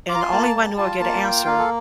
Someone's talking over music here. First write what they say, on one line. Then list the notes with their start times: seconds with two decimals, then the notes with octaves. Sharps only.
and the only way I knew I'd get a answer
0.09 F4 D6
0.15 A#5
0.21 C6
0.32 A#3 A5
0.55 G3
0.77 F4 A5
1.00 A#3 A5
1.23 F4 G5
1.46 A#3 F5
1.59 A4